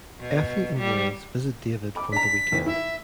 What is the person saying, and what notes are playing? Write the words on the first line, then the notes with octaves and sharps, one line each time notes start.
Effie and Wes visit David for the weekend.
B2
G3
B5 D6
D4 A#5 B6
D#2 E3
E4 E5